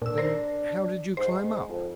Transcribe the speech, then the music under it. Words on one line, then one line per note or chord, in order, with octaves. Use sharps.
'Then how did you climb up?'
A#2 D4 E6
A#4 C5
G#2 C5
F2